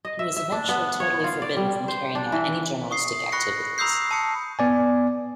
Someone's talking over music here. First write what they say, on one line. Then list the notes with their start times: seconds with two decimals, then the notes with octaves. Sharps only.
He was eventually totally forbidden from carrying out any journalistic activities.
0.05 D#5
0.19 E5
0.36 E5
0.52 D4
0.69 B3
1.00 C#5
1.24 F4
1.42 D5
1.57 G3
1.88 C5
2.15 D4
2.32 E3
2.91 C#6 D#6 C7
3.32 B5 C#6 F#6 A#6 C#7
3.78 A#5 B5 D#6 E6 G6 C7
4.11 A5 D#6 C#7
4.59 B3 D5 G#5